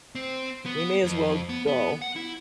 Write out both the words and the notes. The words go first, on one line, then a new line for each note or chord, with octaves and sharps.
we may as well go,"
C4
B3
F2
B3
B3
F#5
E4